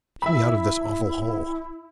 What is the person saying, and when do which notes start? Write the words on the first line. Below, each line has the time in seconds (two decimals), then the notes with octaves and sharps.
"Get me out of this awful hole."
0.22 E4 E5 B5